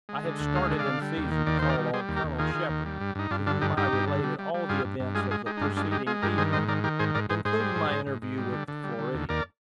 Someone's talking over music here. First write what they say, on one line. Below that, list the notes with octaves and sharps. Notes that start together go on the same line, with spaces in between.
I had started in season to call on Colonel Shepard, to whom I related all the events of the preceding evening, including my interview with the Floridian.
G#3
D3
D2
G#3 F5
D3
D5 F5
D3
G3
D#2
D#3
D#2 D5
D#3 C5
A#4 D5
G3
G3 G#4 C5
D#2
G4 A#4
D#2
D#3 F4 G#4
D#3
D#2
G3
G2
G2 D#4
G2 D4 F4
D3 D4 F4
G2 D#4 G4
G2 D#4 G4
G2
D3
G3
G3
G3
G2 F4 G#4
G2
G2
G#3 F4 G#4
G#3 F4 G#4
G#3 D#4 G4
D#4
G2 D4 F4
G#3 D4 F4
G#3 D#4 G4
G#3 F4 G#4
G2 G4 A#4
D#3 G#4 C5
G#2 C5 D#5
D#3 A#4 D5
D#3 G4 A#4
G#2 G#4 C5
G#2 A#4 D5
G#2 G#4 C5
G#2 G#4 C5
G3
G#2
G#2
G#2
G#2
G3
D3
D3
G3
D3
D#2
D#2 A#4 D5